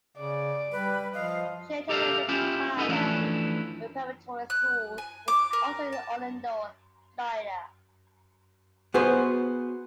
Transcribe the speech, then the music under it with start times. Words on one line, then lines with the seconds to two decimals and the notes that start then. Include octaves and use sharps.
She attended Lake Highland Preparatory School also in Orlando, Florida.
0.17 C#3 D5
0.72 G3 B4
1.14 F3 D#5 F5
1.89 G4 A4 A#4 D5 E5 F5
2.29 C#4 E4 F4 G4 E5
2.77 C#4 D#4 A4 B4 D#5
2.89 E3 F3 A3 C#4 D4 E4
4.50 F#6
4.98 G#5
5.28 D6
5.53 A#4
5.92 A5
8.94 B3 F#4 G#4 B4 C5